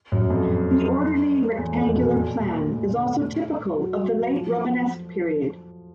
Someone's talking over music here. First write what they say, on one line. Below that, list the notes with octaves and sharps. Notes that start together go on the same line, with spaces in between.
The orderly, rectangular plan is also typical of the late Romanesque period.
F#2
F2
E2
F2
B2
A#2
A2
D3
F#3
F3